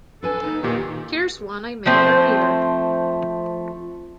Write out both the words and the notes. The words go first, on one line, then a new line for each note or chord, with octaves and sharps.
Here's one I made earlier!.
D4 A4 B4 G#5
D#2 D#4
A#2 D#3 G4
F3 A3 C4